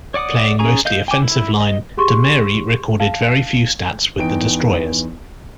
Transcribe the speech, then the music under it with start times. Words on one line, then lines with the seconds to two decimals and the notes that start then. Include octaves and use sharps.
Playing mostly offensive line, DeMary recorded very few stats with the Destroyers.
0.14 C#5 D5 F#5 D6 D#6
0.59 C#4 G#4 G#5 A#5 C#6
0.85 D#5 F5 G6
1.08 G5 G#5 D6
1.22 E4
1.60 D#5
1.97 G4 G#4 C6 C#6
3.00 F5 A5
4.18 E2 E3 D#4 G5 D7